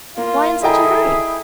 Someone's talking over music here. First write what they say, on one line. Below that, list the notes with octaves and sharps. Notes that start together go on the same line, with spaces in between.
"Why in such a hurry?"
A#3 F4
D#3 E4 G#4 A4 D#5 G5 A#5